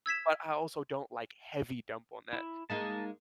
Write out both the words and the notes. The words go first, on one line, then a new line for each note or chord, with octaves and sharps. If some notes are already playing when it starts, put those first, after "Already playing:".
But I also don't like heavy dump on that.
E6 G#6 B6 E7
E4
G#3 A#3 D#4 A5